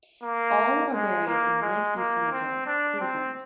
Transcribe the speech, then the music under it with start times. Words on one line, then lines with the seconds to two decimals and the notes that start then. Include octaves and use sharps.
All are buried in Lake View Cemetery, Cleveland.
0.23 A#3
0.93 G#3
1.27 A#3
1.62 G#3
1.96 A#3
2.32 C4
2.66 D4
3.00 C4